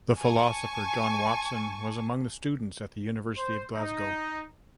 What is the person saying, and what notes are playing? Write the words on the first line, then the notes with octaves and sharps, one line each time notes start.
The philosopher John Watson was among his students at the University of Glasgow.
G#5 A5 C#6
C5
D#4